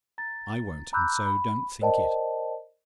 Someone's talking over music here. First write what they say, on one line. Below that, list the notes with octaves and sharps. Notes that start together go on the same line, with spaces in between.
I won't, and so don't think it.
A#5 A6
A#5 B5 D6 E6 F#6 G6
B5
A#4 C5 D5 D#5 G5 A5